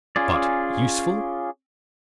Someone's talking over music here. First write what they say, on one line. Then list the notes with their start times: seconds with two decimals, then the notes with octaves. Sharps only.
But, USEFUL?
0.16 C#4 F4 G#4 D5